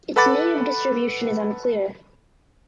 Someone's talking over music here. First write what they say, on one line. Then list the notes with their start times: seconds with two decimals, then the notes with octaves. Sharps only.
Its native distribution is unclear.
0.16 A4 B4 F#5 B5 D6 A6